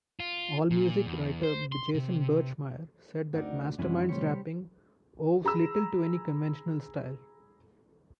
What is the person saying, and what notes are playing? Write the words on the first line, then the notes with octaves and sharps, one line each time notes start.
AllMusic writer Jason Birchmeier said that Mastamind's rapping "owes little to any conventional style".
F4
A#2
E2
C5
C6
C3
D2 C4 D#4 A#4 D5 F#5
F#2 C3 E3 G#3 B3 C#4 E4
A2 C3 G3 G4 C5 C#5 C#7
G#4 A#5 B5 E6